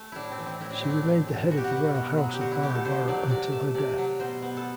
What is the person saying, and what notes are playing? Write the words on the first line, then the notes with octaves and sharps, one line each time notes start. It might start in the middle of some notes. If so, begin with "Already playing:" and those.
She remained the head of the royal house of Bora Bora until her death.
Already playing: A3
A2 D4 E4
C4
E3
C4
A2 E4
D4
A3 C4
D4
A2
E3
B2 F#4
G4
F#4
B3
B2
F#3
G4
D3 F#4
E4
A3 G4
A4
D3 C5
F#3 D5
C3 D5
A3 E5
C3 D5
F#3
B2 C5
B3
A4